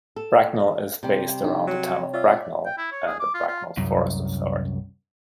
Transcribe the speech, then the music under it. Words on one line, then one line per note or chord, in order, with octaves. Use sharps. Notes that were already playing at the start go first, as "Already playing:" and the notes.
Bracknell is based around the town of Bracknell and the Bracknell Forest authority.
A4
C3 G3
D4 D#4
F#3 C#5
F4 C#5 D5 E5
G5
E4
C#5
G#4
D6
F4
F4
C2 F#2